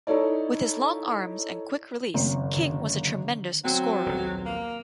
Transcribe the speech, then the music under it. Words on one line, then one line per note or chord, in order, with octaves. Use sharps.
With his long arms and quick release, King was a tremendous scorer.
D#4 E4 A4 C#5 D5
F#1 D#3 C4
D3 D#3
F#3 C4
D#1 B1
A#3